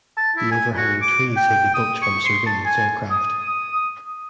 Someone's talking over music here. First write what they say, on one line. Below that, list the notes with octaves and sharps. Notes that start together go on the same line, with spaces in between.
The overhanging trees hid the boats from surveillance aircraft.
A5
E4
G#5
F#4
D6
G5
D#6
C#6
C6
A5
G#5
D#6